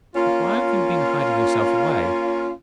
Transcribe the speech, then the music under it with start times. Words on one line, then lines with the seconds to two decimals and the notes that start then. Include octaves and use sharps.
But why have you been hiding yourself away?
0.15 A#3 C#4 F4